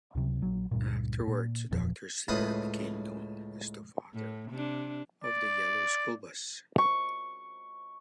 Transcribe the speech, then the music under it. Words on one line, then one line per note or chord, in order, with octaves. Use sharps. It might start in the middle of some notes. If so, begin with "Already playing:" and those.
Afterwards, Doctor Cyr became known as the "Father of the Yellow School Bus".
C#2 C3 F#3
A#1 F#3
C#2 G2 A#2
A#2
F#1 E2 A#2 F3
C#2 A2 B4 C5 B5 D#6
A2
C3 D4
D5
C#6